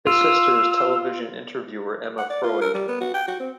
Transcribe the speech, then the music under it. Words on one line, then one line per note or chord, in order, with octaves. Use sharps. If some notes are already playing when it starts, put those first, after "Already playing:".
His sister is television interviewer Emma Freud.
F4 E6
F#5
D5
F4
A#4
G3
B3
F#4
G5
F#4
C4